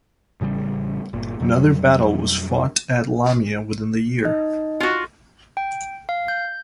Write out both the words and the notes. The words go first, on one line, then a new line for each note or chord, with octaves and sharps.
Another battle was fought at Lamia within the year.
A1 C#3 E3 G3
G1 A#2
F2 B2 F#3 G3
D#4 D#5
F4 F#4
G5
F5
G6